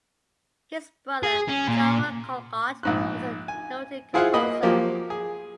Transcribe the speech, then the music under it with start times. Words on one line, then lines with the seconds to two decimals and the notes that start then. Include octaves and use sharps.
His brother, John Wall Callcott, was a noted composer.
1.23 G#4
1.49 C#4
1.68 A#2
2.83 A#1 G#2 F#6
3.48 G#5
4.14 E4 F4 G#4 C5 F5 F#5
4.34 A#3 D#5 B5
4.63 F3 F#3 A#3 G4
5.10 G#4